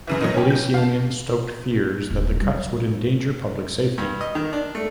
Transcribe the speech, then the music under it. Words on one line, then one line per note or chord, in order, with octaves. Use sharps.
The police union stoked fears that the cuts would endanger public safety.
F#2 C#3 E3
F#3 B3 D#4
C#4 G4
G6
F5 A5
D#1
G3
F3
G2
D#5
D#3
D4
A3